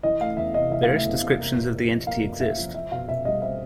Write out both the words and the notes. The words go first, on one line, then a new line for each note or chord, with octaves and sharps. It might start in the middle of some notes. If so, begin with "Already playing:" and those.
Various descriptions of the entity exist.
E3 D#5
A3 F5
E2 E5
C3 D#5
E3 E5
A3 F5
E5
E2
C3
A#3
A#2
A#2
F3
A#3 F5
A#2
A#2 E5
F3
C4 E5
B2 F5
B2 E5
G3 D#5
C4 E5